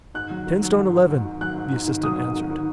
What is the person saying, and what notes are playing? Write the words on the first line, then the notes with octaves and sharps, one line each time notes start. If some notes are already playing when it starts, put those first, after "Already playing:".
"Ten stone eleven," the assistant answered.
G#2 F#6
F#3
D#3
F#3
G#2
D#3
G#2
G#2
F#3 F#6
G#2
G#2
D#3
F#3 D#6
G#2
D#3
D#3